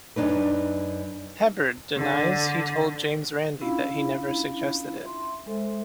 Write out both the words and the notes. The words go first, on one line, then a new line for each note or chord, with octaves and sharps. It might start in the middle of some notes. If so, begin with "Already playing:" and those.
Heberd denies he told James Randi that he never suggested it.
F#2 D4 D#4 B4
D3
C#4 D4 E4 F4 F5 B5
E5 C6
G#3 A4 C5 E5